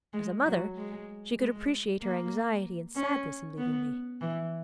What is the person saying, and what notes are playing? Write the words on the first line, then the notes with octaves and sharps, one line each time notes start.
As a mother, she could appreciate her anxiety and sadness in leaving me.
G#3
F#3
G#3
G#3
A#3
C#4
B3
E3